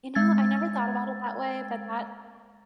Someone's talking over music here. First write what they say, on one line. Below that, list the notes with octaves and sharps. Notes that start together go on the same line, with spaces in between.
You know, I never thought about it that way, but that
G#3 E6 G#6 A6